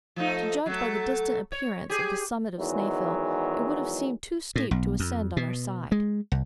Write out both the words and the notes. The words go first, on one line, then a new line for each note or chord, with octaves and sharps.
To judge by the distant appearance of the summit of Snaefell, it would have seemed too steep to ascend on our side.
F3 A3 D#4
F#3 A3
C#5
G4 G#4
E2 D#3 F#3 G#3
A2
B1
F2
B2
G#3
C2